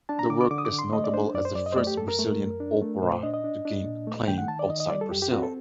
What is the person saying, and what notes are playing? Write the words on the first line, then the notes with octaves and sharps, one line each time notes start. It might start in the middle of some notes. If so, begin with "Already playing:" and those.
The work is notable as the first Brazilian opera to gain acclaim outside Brazil.
D4 A5
A#5
D3 D6
D6
D3 D6
D#6
D6
D3
C6
A3 D#5
D5
D4 C5
F#2 D5
C5
F#2 D5
D#5
C5
A3 D5
G4
F#2 A4
A#4
A3
F#2
D4
A3
A#2 C5
C5
D4 D#5
D#5
D4
D4
A#2
A3
D#3 G5
F#5
D#3 A5
D5
D#3 D#5
D#5
G3 D5
A4
F#2 G4
G4
C4 F#4
A4